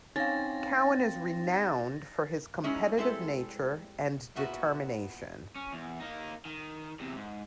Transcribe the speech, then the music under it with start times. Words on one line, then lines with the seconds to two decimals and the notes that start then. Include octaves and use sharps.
Cowan is renowned for his competitive nature and determination.
0.16 C4 C#4 D#4 F5 A6 A#6
2.64 G#3 C#4 D#4 E4
2.97 G3 G#3 C4 E4 A4
4.35 A#2 B3 E4 F#4
5.55 C#4
5.73 E2
6.00 A#3 D#4
6.45 D#3
7.00 E2 C3
7.15 G#2